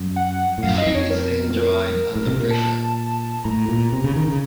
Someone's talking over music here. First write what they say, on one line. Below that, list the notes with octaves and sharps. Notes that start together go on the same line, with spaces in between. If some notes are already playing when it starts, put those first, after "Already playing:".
The sheet is then dried under pressure.
Already playing: F#2
F#5
A2
F#2 F5
D#5
F2
C#5
A#4
A#4
A2
C3
A#2
A5
A2 A#5
A#2
C3
C#3
D#3
C#3